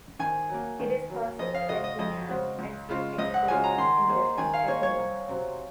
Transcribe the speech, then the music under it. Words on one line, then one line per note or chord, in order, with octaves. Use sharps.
It is possible that he has excellent experience in different techniques...
D#3 G#5
F#3 A#3
D#3
F#3 A#3
F2 D#5
F5
C#3 G#3 C4 F#4 D#5
D#5
F2 D#5
C#3 G#3 C4 F#4
C#2
C#3 G#3 C#4 F4
C#2 D#5
F#5
C#3 G#3 C#4 F4 G#5
A#5
D#3 C6
A#3 D#4 G#4 C5
D#3 G#5
F5
A#3 D#4 G#4 C5 C#5
C#5
C2
C3 F#3 C4